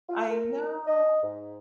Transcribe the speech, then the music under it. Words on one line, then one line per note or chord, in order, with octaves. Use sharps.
I know,
F4
A#4
D#5
G#2